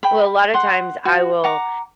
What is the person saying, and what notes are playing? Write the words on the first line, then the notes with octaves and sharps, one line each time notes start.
Well, a lot of times, I will,
G5 B5
F#5 C6
F#4
F#5 A#5 D6